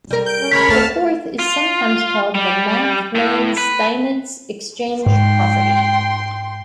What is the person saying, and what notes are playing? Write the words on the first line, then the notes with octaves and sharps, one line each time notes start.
The fourth is sometimes called the Mac Lane-Steinitz exchange property.
G3 A#4
G6 D7
C#4
D2 G#3 A#4 C#5 B5 B6
D#2 A3 C4 E5 A5 F6
F4
G3
A2
B4
G#2 G5 C6